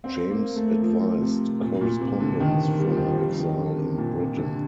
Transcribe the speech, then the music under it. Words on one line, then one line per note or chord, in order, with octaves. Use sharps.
James advised "Correspondence" from exile in Britain.
C4
A#3
A3
F3
C3
A#2
A#2
C3
D3
D#3
G3
F3
D#3
F3
G3
D#3
D3
C3
A#2
C3
D3